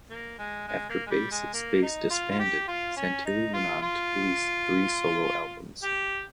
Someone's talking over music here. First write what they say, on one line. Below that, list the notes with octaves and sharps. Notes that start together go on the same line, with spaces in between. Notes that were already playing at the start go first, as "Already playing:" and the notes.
After Bass is Base disbanded, Santilli went on to a release three solo albums.
A#3
G#3
G#3
A#3
G#3
G3
G#3
A#3
D#4
F4
F4
G4
F4
C#4
D#4
F4
F4
G4